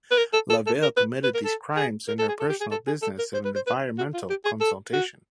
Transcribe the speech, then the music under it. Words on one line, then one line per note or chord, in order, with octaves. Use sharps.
Lavelle committed these crimes in her personal business of environmental consultation.
B4
A#4
A4
A4
A4
A#4
B4
B4
A#4
A4
G#4
A#4
A4
G#4
A4
G4
G#4
A4
G#4
A4
A#4
C5
B4
C5
B4
F#4
F4
G4
G#4
A4
F#4